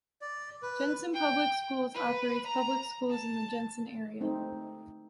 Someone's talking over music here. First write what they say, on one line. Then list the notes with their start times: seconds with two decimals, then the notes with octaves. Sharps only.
Jenison Public Schools operates public schools in the Jenison area.
0.21 D5
0.63 B4
1.14 G5
1.94 B4
2.46 A#5
3.10 A5
4.21 A3 C4 D#4